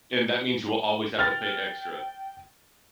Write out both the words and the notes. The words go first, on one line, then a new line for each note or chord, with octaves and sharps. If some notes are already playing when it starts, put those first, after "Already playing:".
and that means you will always have to pay extra.
G5 F6 A6